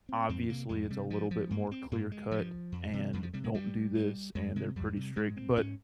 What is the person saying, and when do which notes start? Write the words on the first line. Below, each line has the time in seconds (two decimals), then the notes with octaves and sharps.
obviously, it's a little bit more clear-cut and, "Don't do this," and they're pretty strict, but
0.09 C4
0.29 F2 C4
0.49 C3 A#3
0.69 F2 G#3
0.90 C3 G3
1.10 G2 F3
1.31 F3
1.50 G2 A#3
1.71 C4
1.92 G2 A#3
2.12 G#3
2.31 G2 F3
2.72 F2
2.93 C3
3.13 F2 D#3
3.23 F3
3.34 C3 G3
3.44 G#3
3.55 G2 G3
3.95 G2
4.35 F2 G#3
4.56 C3 G#3
4.76 F2 G3
4.97 C3
5.16 G#2 G#3
5.37 C4
5.57 G#2 C#4